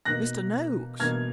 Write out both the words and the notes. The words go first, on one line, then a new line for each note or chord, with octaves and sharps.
Mr. Noaks!
B2 A#3 D#4 F#6 A#6
B2 A#3 D#4 F6 G#6